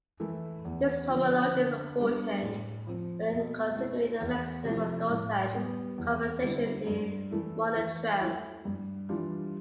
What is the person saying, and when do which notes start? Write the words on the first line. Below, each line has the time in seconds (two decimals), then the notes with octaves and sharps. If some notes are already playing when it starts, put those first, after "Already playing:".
This homology is important when considering the mechanism of dosage compensation in monotremes.
0.20 E3 A3 E4
0.65 E2
1.08 D3 F3
1.53 D3
1.98 G3 B3 D4
2.42 A2
2.87 F3 C4
3.32 B2
3.76 A3 E4
4.20 E2
4.65 C3 F3 A3 E4
5.10 A2
5.54 G3 B3
5.98 E2
6.42 D3 G3 C4 E4
6.87 G2
7.31 E3 A3 E4
7.76 E3
8.21 A3 E4
8.65 G2
9.09 E3 G3 D4 F4